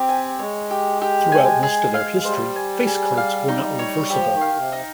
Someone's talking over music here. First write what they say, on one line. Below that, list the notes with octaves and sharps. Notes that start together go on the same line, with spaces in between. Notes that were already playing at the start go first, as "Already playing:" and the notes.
Throughout most of their history, face cards were not reversible.
Already playing: C4 G4
G#5
G#3 C#5
G4
G4
G#5
G#4
F5
G3 C5
G#5
G#4
F5
D#4
C#5
F3 G4
D#3
F5
C3
D#4